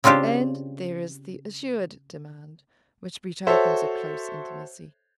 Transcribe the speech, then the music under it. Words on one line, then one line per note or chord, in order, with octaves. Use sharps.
And there is the assured demand,--which betokens a close intimacy.
C#3 C4 D4 F4 G4
F#4 A4 C5 C#5 E5